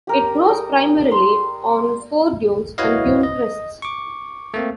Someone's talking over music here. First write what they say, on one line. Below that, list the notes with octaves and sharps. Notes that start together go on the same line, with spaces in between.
It grows primarily on foredunes and dune crests.
G4 A#4 G5
G3 D#5
C6
E4 F#4 B4 C#5 D#5 F5
D#5
C#6 D6
A3 A#3 C4